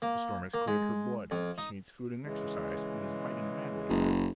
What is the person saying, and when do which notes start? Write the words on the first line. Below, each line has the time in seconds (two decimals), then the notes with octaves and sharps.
The storm has cleared her blood; she needs food and exercise, and is biting madly.
0.02 A#3
0.54 A#3
0.68 G#3
1.31 F2
1.58 D#4
2.25 C#3 E3 G#3
3.89 F#1